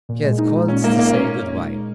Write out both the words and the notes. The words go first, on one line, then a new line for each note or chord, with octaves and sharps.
She had called to say good-by.
A#2
G#3
D#4
A#2
A#2 C#4
G#3 A#3
A#3 D#4
A#2 C#4